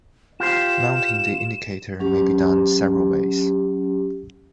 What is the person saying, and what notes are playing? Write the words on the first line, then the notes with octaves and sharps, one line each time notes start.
Mounting the indicator may be done several ways.
F4 G4 C5 E7
F#3 C#4 G4